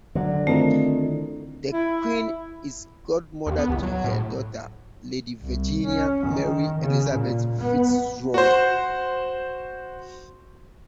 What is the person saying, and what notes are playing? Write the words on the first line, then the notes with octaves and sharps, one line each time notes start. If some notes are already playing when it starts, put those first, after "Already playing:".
The Queen is godmother to her daughter, Lady Virginia Mary Elizabeth FitzRoy.
D3 F#3
D#3 A3 C4 E4 F4 A#4
E4
D#2
B3
C#2
F#3
A2
C2
C#4
D#3
C#3
A#2
B3
F#4 C5